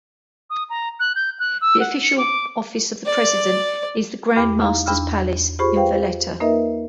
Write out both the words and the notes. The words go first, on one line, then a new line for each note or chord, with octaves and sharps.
The official office of the president is the Grandmaster's Palace in Valletta.
D#6
A#5
F#6
G6
F#6
E6
F#5
C#7
D6
D5
E2 G4 B5 D6 F6
D#4 E4 F5 A#5
E2 D4 B5 E6 F6
F4 G4 G#4 C5 B5 C#6
B4 C5 F5 G5
A#3 D#4 A#4 B4 D#5 E5